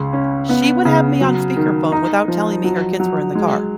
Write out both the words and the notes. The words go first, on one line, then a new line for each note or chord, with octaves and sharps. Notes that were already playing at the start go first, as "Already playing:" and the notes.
she would have me on speakerphone without telling me her kids were in the car.
Already playing: C#2 C#3
C#4
B3
C#3
F#3
D#3
D#4
F3
F#3
F#3
G#3